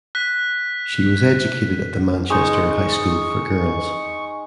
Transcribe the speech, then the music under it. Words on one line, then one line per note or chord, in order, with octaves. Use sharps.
She was educated at the Manchester High School for Girls.
F#6 B6
G#3 D#4 C#6